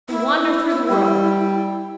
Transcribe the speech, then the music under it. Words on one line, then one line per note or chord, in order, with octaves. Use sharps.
Who wander through the world.
E4
G3